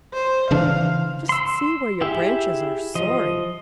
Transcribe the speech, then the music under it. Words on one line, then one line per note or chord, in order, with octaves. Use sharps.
Just see where your branches are soaring.
C5
C#3 E3 D4 F5
C6 E6
E4 G4 G#4 E5
F3 D#5